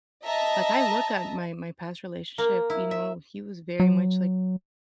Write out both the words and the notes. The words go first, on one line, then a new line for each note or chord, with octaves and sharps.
like, I look at my, my past relationship, you know, he was very much like
D#5 E5 A5 A#5
A#3
E4
E5
F#3